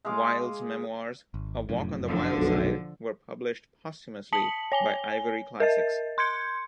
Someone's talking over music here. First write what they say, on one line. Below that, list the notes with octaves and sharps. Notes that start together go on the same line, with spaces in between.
Wild's memoirs "A Walk on the Wild Side" were published posthumously by Ivory Classics.
G#3 G#4 F5 D6
G#1
F1 F#2 A2
D3 F3
B1
A5 B6 C#7 F#7
C#5 G#5 G7
A#4 D#5 A6
C6 G6 G#6 C#7